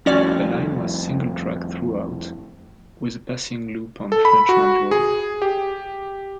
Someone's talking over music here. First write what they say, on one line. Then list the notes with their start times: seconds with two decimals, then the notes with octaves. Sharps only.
The line was single track throughout, with a passing loop on Frenchmans Road.
0.06 F2 A2 C#4 F#4 D5
4.12 A4
4.25 B5
4.49 F#4
4.91 G#4
5.42 G4